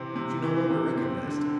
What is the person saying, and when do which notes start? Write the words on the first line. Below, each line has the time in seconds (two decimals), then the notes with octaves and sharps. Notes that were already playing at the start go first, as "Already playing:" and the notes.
She no longer recognized it.
Already playing: C3 E3 C4
0.16 C3
0.44 E3
0.70 C3
0.97 C4
1.26 D3